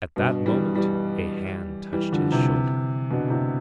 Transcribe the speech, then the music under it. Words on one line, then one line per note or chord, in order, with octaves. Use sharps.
At that moment a hand touched his shoulder.
G2 B2
E3 G3
E3 G3
E3 G3
D3 F3
C3 E3
B2 D3
A2 C3